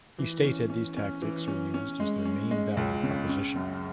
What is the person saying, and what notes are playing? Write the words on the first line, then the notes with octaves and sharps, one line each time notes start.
He stated these tactics were used as their main value proposition.
E3
C#4
C#4
C#4
E3
C#4
C#4
G#3
C#4
G#3
C#2
C#3
C#4
F#2